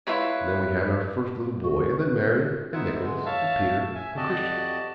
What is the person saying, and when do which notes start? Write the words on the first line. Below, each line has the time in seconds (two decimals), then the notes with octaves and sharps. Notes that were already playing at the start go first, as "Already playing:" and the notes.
And then we had our first little boy, and then Mary, and Nicholas, and Peter, and Christian.'
0.07 E4 F4 B4 C#5
1.64 F#4
2.02 B4
2.73 B3 D#4 C5 E5 F#5
3.00 D3 E3 G#3
3.26 C#5 E5 F5 A5
3.95 E5 G#5
4.17 F2 F#4 G4 D5 D#5 A5